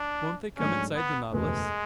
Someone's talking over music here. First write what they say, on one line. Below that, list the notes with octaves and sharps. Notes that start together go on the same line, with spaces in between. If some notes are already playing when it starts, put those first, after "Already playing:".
"Won't they come inside the Nautilus?"
Already playing: D4
G#2 F#3 A3 C#4 D4
B3
F#1 E2 B2 G#3 A3